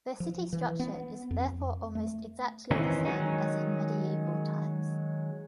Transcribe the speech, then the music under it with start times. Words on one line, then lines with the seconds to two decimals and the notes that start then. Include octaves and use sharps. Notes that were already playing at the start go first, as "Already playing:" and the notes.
The city structure is therefore almost exactly the same as in medieval times.
0.20 F3
0.53 E3
0.80 B3
1.31 F2
1.95 A3
2.71 D#3 E3 C4 C#4 D#4
3.05 D#3 F#3 G#3 C#4 D#4